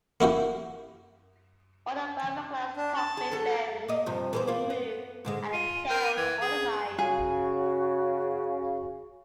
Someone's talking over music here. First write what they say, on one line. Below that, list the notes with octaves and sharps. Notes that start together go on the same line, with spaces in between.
All the fibreglass cockpit fairings were removed and the tail was modified.
A#3 E4 F#4 G4
D4
A5
G#4
F#3 A4
A#3 D#5
G2 C3 F3
E3 A4 C5
A#3 F4
B3
G#2 D3 G#3
F4 D#7
A#4 G6
D#7
E3 G#6
G#4
C#3 F#4 G#4